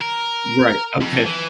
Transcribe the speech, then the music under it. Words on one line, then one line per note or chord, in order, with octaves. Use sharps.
Right, okay.
A#4
F2
E3